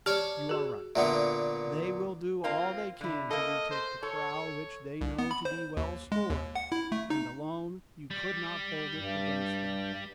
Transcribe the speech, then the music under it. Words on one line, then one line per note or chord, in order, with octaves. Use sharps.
"You are right; they will do all they can to retake the corral, which they know to be well stored; and alone you could not hold it against them."
G4 C#5 D5 A5
F#4 G#4
A#2 D3 B3 E5 F#5
A#3 C4 F4
D3 E4
A#3 A4 D#5
C5
A4 C#5
C2
B3
B5
C5
D#2
G#3
D#2
F#5
E4
A3
D#4
G3
G2